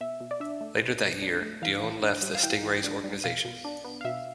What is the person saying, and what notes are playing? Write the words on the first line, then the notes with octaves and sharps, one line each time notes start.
Later that year, Dionne left the Stingrays organization.
B2 E5
B2
D5
D4 E5
A3
B2
B2
D4
A3
E3 F5
E3
D4
G3
F5
E3 G5
E3
D4
G3
B2 F5
B2
D4
B3
F5
B2 E5